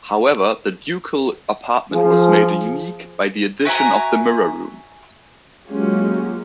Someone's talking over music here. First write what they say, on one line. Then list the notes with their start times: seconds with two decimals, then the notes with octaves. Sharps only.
However, The Ducal apartment was made unique by the addition of the Mirror Room.
1.93 F3 G#4
3.65 F#4 E5 G#5 A#5
5.67 F#3 G#3 A#3 C#4 F4 G4